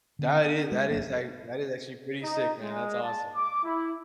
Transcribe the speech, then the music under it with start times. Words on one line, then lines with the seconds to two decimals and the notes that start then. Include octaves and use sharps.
That is that is a that is actually pretty sick, man, that's awesome,
0.19 D3 B3 C#4
0.45 B3 D4
0.72 G#3
0.91 G1 F#3 A#3
2.24 D#4
2.61 G#3
3.03 A5
3.35 D6
3.64 E4